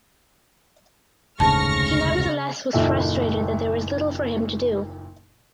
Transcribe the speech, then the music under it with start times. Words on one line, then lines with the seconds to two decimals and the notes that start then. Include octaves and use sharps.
He nevertheless was frustrated that there was little for him to do.
1.40 F1 D2 G#2 C#3 A5 C#6 F6 A#6
2.73 F#1 D#2 A#2 A4 E5